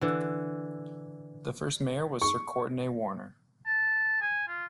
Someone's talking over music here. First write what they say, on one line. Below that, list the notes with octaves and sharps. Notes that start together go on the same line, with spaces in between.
The first mayor was Sir Courtenay Warner.
D3 E3
C#6
A5
G#5
F4